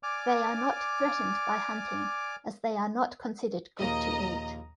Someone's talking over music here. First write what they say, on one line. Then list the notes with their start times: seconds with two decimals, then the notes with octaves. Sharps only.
They are not threatened by hunting as they are not considered good to eat.
0.03 D5 G#5 D6 F6
3.79 A#1 D#2 A#3 D#5 A#5